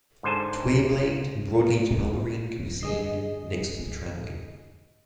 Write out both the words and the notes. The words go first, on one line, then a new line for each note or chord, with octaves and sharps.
Twayblade and broadleaved helleborine can be seen next to the tramway.
G#2 D3 C5 G#5 A5
D3 G#4 D#5 C7